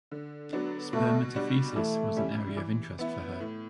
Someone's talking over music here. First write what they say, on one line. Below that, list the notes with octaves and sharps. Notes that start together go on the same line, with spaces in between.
Spermatophytes was an area of interest for her.
D3
F#3 B3 D4 F#4
B2 A3
G3 D4 F#4
E3 A3
G3 C#4 E4
E3
B3 E4
A2